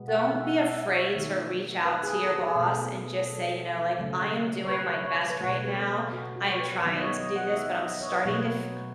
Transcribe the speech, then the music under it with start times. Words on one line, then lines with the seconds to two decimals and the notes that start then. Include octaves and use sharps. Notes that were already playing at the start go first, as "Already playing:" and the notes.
don't be afraid to reach out to your boss and just say, you know, like, "I am doing my best right now. I am trying to do this, but I'm starting to f
Already playing: B2 G#3 B3
0.08 F#5
0.36 E5
0.43 F#5
0.66 E5
0.90 C#5
1.14 D#3 A3
1.85 B4
2.03 G#4
2.21 A4
2.39 G#4
2.56 B2 A3
3.27 A4
3.99 C#3 F#3 A3
4.65 C#5
4.69 B4
5.05 C#5
5.30 B4
5.40 B2 A3 C#5
5.65 B4
5.77 A4
6.12 F#4
6.36 F#4
6.50 C#5
6.60 B4
6.83 D#3 F#3 B3 B4
6.96 D#5
7.01 C#5
7.19 D#5
7.36 F#5
7.54 E5
7.78 D#5
8.01 C#5
8.12 B4
8.23 B2 F#3 A3 C#5